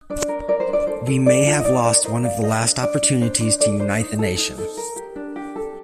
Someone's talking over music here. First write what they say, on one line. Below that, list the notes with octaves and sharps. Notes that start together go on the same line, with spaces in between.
We may have lost one of the last opportunities to unite the nation.
D4 D5
A#4
A#4 D5
C5
D4
D5
A4 C5
A4
A4 D5
F4
D#5
D#4 D5
A#4 D5
A#4 C5 D#5
G4 D5 F5
A4 C5 D#5
D4
D4 D5
D4
D4 C5
D4 D5
A4 D5
D4 C5
D#4
A4
D#4
A4
A#4
G4
D4
G4
A4